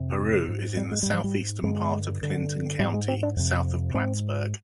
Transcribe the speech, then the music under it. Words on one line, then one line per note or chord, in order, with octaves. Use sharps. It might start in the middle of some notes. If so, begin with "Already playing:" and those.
Peru is in the southeastern part of Clinton County, south of Plattsburgh.
Already playing: F2 C3
G#2
G3
G#3
G#2 G3
F3
G3
G2 D3 G#3
G2 D3
G#2 G3
G#3
C4
D4
F2 C3
G#2 C4